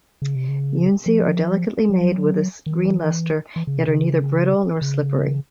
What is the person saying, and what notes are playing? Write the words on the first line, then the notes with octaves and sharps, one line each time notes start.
Yunzi are delicately made with a green luster yet are neither brittle nor slippery.
C#3
C3
C#3
F3
F#3
D#3
E3
E3
C#3
C3
C#3
C#3